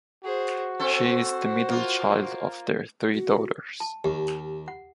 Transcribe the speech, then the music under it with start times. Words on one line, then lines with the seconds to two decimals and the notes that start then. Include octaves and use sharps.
She is the middle child of their three daughters.
0.24 F#4 G#4 C5
0.80 C4 A4 C5
1.70 A#3 F4
3.14 F#4
3.80 A5
4.04 D#2 G4
4.68 F#5